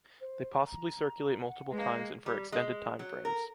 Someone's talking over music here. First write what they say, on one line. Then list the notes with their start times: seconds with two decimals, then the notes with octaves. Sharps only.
They possibly circulate multiple times and for extended timeframes.
0.20 C5
0.66 A#5
1.40 F#5
1.71 G#3 A#3 B4
2.26 G3
2.52 G#3
2.99 F#3
3.25 A#4